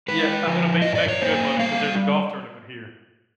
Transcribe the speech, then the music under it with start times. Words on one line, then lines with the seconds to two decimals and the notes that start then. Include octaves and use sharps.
Yeah, I'm gonna be making good money 'cause there's a golf tournament here.
0.08 G#3 B4
0.47 F3
0.82 F#2 D#5
0.95 D5
1.08 C#5
1.22 A#3 C5
1.59 G3 F5